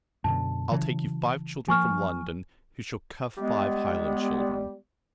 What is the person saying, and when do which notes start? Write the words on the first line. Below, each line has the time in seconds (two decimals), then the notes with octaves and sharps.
I'll take you five children from London, who shall cuff five Highland children.
0.24 F#2 B2 D3 A5
0.71 C#3 E3 F#3
1.68 F3 A#3 G#5 C#6 F6
3.38 G3 G#3 B3